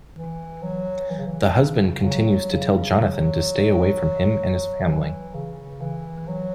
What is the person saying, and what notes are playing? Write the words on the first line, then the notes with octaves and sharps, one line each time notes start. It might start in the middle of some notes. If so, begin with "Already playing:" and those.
The husband continues to tell Jonathan to stay away from him and his family.
E3
F#3
E3
C#3
E3
C#3
F#3
C#3
F#3
E3
C#3
E3
F#3